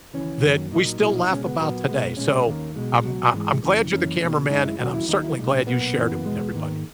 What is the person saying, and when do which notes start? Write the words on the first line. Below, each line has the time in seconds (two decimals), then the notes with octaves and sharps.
that we still laugh about today, so, um, uh, I'm glad you're the cameraman, and I'm certainly glad you shared it with everybody.
0.14 D#2 C#3 E3 C#4
0.43 F#2 D#3 F#3 A#3
0.71 A#2 F#3 A#3 D#4
1.01 B1 A#2 F#3 A#3 E4
1.16 D#4
1.30 C#2 B2 G#3 C#4
1.45 B3
1.59 A#2 F#3 A#3 B3
1.89 B1 B2 G#3
2.17 B1 A#2 G#3 C#4
2.47 D#2 D#3 A#3
2.76 B1 B2 G#3
3.04 C#2 B2 F#3
3.33 G#2 E3 G#3 B3
3.63 F#2 C#3 E3 A#3
3.91 F#2 E3 A#3 C#4
4.21 E2 B2 A#3
4.50 F#2 C#3 G#3 D#4
4.65 E4
4.79 D#2 C#3 F#3 A#3 F#4
4.93 E4
5.08 D#2 D#3 F#3 A#3 D#4
5.23 E4
5.37 B1 A#2 G#3 D#4
5.52 C#4
5.66 B1 A#2 A#3 B3
5.96 F#2 C#3 E3 A#3
6.26 E2 B2 G#3
6.53 G#2 D#3 A#3